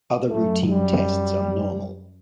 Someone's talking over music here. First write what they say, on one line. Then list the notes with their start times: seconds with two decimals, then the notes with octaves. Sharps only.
Other routine tests are normal.
0.28 F#2 A3
0.65 G3